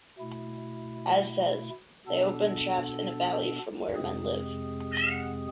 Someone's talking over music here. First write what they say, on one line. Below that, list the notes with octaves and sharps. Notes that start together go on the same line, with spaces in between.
As says, They open shafts in a valley from where men live.
B2 A3 E4
B2 B3 D4 A4
F2 C3 G#3 C4 G#4